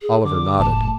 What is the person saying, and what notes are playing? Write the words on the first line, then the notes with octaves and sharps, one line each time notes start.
Oliver nodded.
G#4
D3 D6
F#1 A2 A5